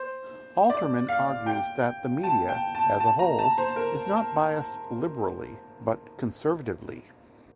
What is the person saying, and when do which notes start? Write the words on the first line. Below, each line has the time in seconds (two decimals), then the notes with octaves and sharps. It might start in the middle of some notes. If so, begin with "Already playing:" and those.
Alterman argues that the media, as a whole, is not biased liberally, but conservatively.
Already playing: C5
0.70 D5
1.09 F5
1.46 G5
2.23 A5
2.48 G5
2.75 A5
3.00 A5
3.19 A#5
3.39 A5
3.58 C5
3.76 A#4